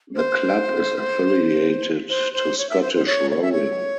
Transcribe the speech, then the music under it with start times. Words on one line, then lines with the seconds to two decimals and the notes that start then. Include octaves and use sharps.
The club is affiliated to Scottish Rowing.
0.15 C5
2.09 C5
2.33 C5
2.58 C#5
2.70 E5
2.81 C5
2.94 C5
3.06 C#5
3.31 C#5
3.42 E5
3.52 C#5